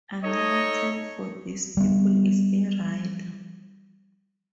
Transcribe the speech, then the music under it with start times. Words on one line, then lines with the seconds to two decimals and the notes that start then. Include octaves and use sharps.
Another term for these people is eRider.
0.23 D#4 A4 C#5 D#5
1.77 G3 B3